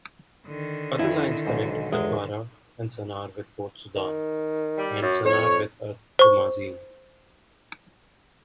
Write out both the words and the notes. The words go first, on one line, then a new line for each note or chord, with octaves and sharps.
Other lines connect Atbarah and Sannar with Port Sudan, and Sannar with Ad Damazin.
D3 D#3
F2 E4
B1 G#2 C5
G1 E2 G#3
D#3
G3
F#2
F2 C#5
C5 C#6